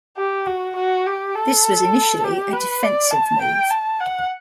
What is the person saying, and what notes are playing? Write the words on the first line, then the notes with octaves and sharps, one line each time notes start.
This was initially a defensive move.
G4
F#4
F#4
G4
A4
G4
B4
D5
A5
G5
A5
F#5